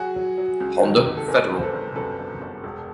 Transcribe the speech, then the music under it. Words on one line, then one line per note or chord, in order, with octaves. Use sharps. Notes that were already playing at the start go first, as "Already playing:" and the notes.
Honda Federal.
Already playing: F#3 F#4 G#4
F#3
F#3
C#2
D#3
C3
A4
G1 G#4 A#4
G1
C5
A4 B4
G1
F#2 A4 B4
G1
G1
E1